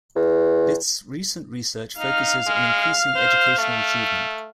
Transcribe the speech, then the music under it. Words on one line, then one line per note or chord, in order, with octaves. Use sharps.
List's recent research focuses on increasing educational achievement.
E2
D#4 F5 F6
G#3
C5
A3